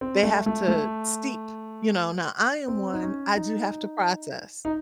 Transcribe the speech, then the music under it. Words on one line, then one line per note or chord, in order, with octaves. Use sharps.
they have to steep, you know, now I am one, I do have to process,
C4
A3
A3
A3
C4
D#4
C#4
D#4
D#4